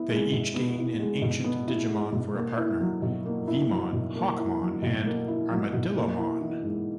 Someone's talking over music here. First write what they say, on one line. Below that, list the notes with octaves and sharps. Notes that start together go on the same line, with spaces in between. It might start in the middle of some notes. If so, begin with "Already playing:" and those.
They each gain an ancient Digimon for a partner: Veemon, Hawkmon and Armadillomon.
Already playing: B3 E4
G#3
B2
B3
E4
G#3
B2
B3
E4
G#3
B2
A#3
E4
F#3
B2
A#3
E4
F#3
B2
A#3
E4
F#3
B2
A#3
E4
F#3
B2
A#3
E4
E3
G#2